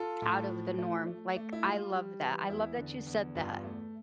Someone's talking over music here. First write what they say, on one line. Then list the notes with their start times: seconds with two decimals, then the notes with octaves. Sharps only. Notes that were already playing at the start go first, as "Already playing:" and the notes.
out of the norm, like, I love that. I love that you said that.
Already playing: F4 A4
0.22 A2
0.50 F3
0.78 A3
1.07 A3
1.36 A3
1.53 E4
1.63 G3 F4
1.92 G3
2.21 E3
2.49 E2 E4
2.78 D3
3.07 E2
3.35 G2 F4
3.64 A3